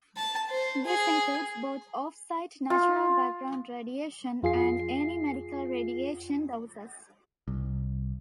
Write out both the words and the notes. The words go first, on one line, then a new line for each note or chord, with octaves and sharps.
This includes both offsite "natural background radiation" and any medical radiation doses.
A5
C5
G#4
F4
F2 F4 G#4 C7
C2